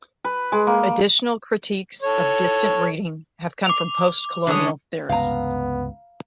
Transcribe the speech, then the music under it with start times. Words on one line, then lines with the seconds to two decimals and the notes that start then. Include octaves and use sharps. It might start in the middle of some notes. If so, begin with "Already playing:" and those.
Additional critiques of distant reading have come from postcolonial theorists.
0.24 B4
0.52 G#3
0.67 A#3
2.03 A4 C#5
3.66 D6 F7
4.47 D3 G#3 C#4 D4 C#5 D#6
5.09 C#2 G2 C3 B3 F5 A#5